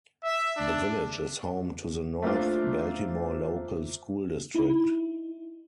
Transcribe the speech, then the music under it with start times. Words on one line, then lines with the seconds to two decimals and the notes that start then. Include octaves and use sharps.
The village is home to the North Baltimore Local School District.
0.24 E5
0.57 D4
2.22 A3 A#3 C4 D4 F4
4.55 D#4 E4